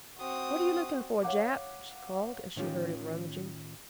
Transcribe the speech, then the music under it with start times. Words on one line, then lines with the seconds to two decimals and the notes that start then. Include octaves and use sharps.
"What are you looking for, Jap?" she called as she heard him rummaging.
0.18 C4 F#4 D#6
1.23 C#5 F5 F#5 D6
2.56 A2 D#3 C#4 F4 G4